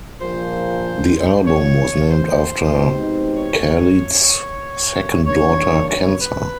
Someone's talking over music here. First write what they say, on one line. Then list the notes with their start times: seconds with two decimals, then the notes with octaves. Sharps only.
The album was named after Khaled's second daughter Kenza.
0.20 A#1 A#2 F3 C5
1.46 C#5
2.09 C5
2.72 B2 G#3 C4 D#4 G4
3.36 C#5
5.25 D#3 G3 A#3 D4 F#4 C#5
5.88 C#5
6.20 B4